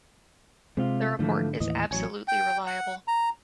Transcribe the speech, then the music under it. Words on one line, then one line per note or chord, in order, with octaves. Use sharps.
The report is absolutely reliable.
C3 G#3 C4 F4
G#2 D3 E3 F3 A3
D#2 A2 E3 D#5
A1 F#3 C#5 G#5
G5
F#5
A#5